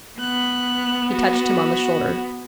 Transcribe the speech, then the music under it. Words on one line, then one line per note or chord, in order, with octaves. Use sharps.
He touched him on the shoulder.
B3 F#6
F#4